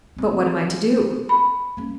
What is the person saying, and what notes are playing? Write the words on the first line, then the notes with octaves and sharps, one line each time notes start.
"But what am I to do?"
C4 C#4
B5
A#3 C#4